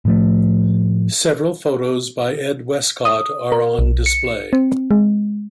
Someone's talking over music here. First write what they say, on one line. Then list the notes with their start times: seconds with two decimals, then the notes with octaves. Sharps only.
Several photos by Ed Westcott are on display.
0.05 A2 F3 A3
3.05 D#6
3.52 A#4
3.79 B1
4.06 C#7
4.53 C4
4.91 G#3